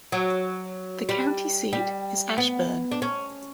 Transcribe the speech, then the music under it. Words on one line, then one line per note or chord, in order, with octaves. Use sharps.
The county seat is Ashburn.
F#3
G3
G3
B3
D4
C#4